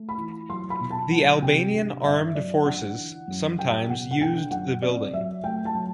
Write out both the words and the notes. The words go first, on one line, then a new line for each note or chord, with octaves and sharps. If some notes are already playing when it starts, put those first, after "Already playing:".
The Albanian Armed Forces sometimes used the building.
Already playing: A3
B5
E3
F#3 C6
B5
B2
A5
F#3 F#5
C3 G5
D3
G2 E5
F#3 D5
D3 F#5
E3
F#2
G3 G5
B2 F#5
F#5
D3 G5
F#2 F#5
C4 D5
F#3 E5
A3 G5
A5
F#3